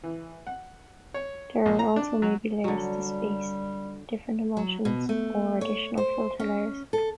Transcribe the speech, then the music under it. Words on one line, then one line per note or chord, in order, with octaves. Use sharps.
There also may be layers to space different emulsions, or additional filter layers.
E3
F#5
C#5
A#1
A#5
D4
F#3
D3 F#3 G3
F#3
B2
A3
C#5
C5
C#4
A4